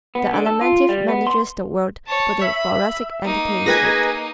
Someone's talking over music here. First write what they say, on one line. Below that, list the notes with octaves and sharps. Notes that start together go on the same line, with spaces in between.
The Alimentive manages the world but the Thoracic entertains it.
B3
D3
A4
F4
G3
B3
C6
C#5 A5
E5 B5
A#3 D#4
G#4 B4 G#5 G#6 A#6